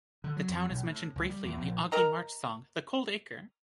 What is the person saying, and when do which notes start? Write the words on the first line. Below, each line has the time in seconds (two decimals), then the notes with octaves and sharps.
The town is mentioned briefly in the Augie March song The Cold Acre.
0.24 D3
0.37 F#3
0.49 F2
0.70 B1
0.85 A2
1.16 C#2
1.29 G3
1.44 E2
1.57 A#1
1.92 A#4 D#5 A#5